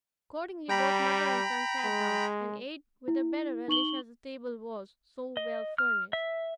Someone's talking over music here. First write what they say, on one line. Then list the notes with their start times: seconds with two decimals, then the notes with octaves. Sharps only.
Accordingly, both mother and son sat down, and ate with the better relish as the table was so well furnished.
0.69 G3 G5 A#5 B5
1.85 G#3
3.08 E4
3.68 D#4 C#6 F#7 G7
5.37 D#5
5.78 F6
6.13 E5